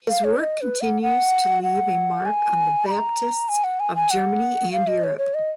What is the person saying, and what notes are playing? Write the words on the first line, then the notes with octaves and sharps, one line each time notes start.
His work continues to leave a mark on the Baptists of Germany and Europe.
F5
C#5
D#5
B4
F#5
F#5
F#5
G#5
B5
A#5
G#5
F#5
G#5
G#5
F#5
F5
D#5
C#5
C#5
D#5